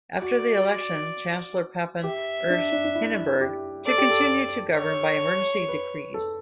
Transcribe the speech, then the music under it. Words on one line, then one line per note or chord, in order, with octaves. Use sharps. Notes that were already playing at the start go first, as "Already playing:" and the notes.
After the election, Chancellor Papen urged Hindenburg to continue to govern by emergency decrees.
F#4 D5
G4 E5
D4
D4
D4
E4
G4
A4 D5
G4
A4
C#5
B4
A4